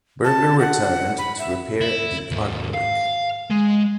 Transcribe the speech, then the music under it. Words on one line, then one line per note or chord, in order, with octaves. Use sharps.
Berger returned to repair the artwork.
A5
F#5
B5
E5
E4
D#2 G#2
F5
G#3